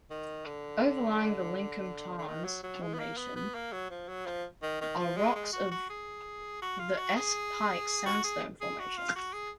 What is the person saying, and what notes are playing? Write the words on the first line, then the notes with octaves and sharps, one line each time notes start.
Overlying the Lincomb Tarns Formation are rocks of the Esk Pike Sandstone Formation.
D#3
D3
D3
D#3
F#3
F#3
G#3
B3
A#3
B3
B3
A#3
F#3
F3
F#3
F3
D#3
D#3
F3
G#3
G#3
F#4
F#4
G#4
F#4
F4
F#4
G#4
F#4
G#4
G#4
F#4
F4
F#4
G#4